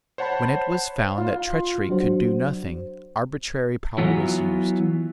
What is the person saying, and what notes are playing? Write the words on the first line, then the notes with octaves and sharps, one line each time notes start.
When it was found that treachery could do nothing, arbitrary power was used.
C5 C#5 F#5 A5 B5
F4
F#3 D4 F#4 C5
E3 F#3 B3 F4